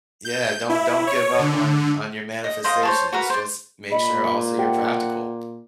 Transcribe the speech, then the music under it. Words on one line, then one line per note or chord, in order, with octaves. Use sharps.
Yeah. Don't don't give up on on your manifestations. Just make sure also you're practical.
G6
E4
C#5
D3
D#5
C5 D#5 F5
C5 C#5 A5
F#4 A#4 B4
C5 D5
A#2 D#5 B5
G4 C5 F#5 G5